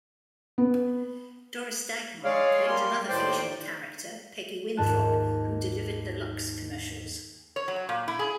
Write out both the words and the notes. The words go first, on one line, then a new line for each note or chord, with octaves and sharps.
Doris Dagmar played another fictional character, Peggy Winthrop, who delivered the Lux commercials.
B3
G#3 G#4 C#5 D5 F5
G3 A#3 C6
D#2 A2 C5 D5 G5
D#2 G#2 F4 A5 F#6
C#5
F#3
A#2
E4
G#4